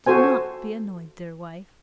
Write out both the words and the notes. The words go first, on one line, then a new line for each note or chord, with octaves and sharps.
'Do not be annoyed, dear wife.
F#4 A4 C5 G#5